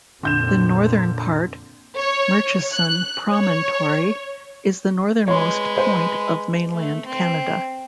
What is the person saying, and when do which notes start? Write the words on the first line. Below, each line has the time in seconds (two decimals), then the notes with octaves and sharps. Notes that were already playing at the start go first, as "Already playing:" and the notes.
The northern part, Murchison Promontory, is the northernmost point of mainland Canada.
0.23 F2 A#2 D3 G6 E7
1.96 C#5
2.72 F#6
3.32 C#5
5.28 G#3 B4 C#5 C6
5.78 C5
6.73 A3
7.06 C4